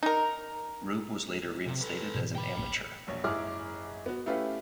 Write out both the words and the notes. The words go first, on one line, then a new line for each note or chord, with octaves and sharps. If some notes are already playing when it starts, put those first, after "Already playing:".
Rube was later reinstated as an amateur.
D#4 A#4
C3
A4 B4
G#2 B2 E3
G5 B5
D1 A1 A#3
E1 A#1 C#5
F#1 G#2 E4 G#4 D6 F6
B3 F#4
A3 C#4 E4 G4 B4 F5